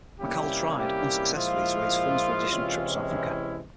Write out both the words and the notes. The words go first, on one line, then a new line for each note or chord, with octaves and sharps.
Mackal tried, unsuccessfully, to raise funds for additional trips to Africa.
C3 G3 A#3 C#4 E4 G4
G4
A#2 F3 G#3 E4 F4
C3 E3 G#3 C#4 E4
E4